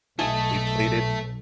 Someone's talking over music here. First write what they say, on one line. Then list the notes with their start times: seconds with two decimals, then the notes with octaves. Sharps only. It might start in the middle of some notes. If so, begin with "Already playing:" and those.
We played it
0.19 B1 A3 A4 D#5 G#5 A5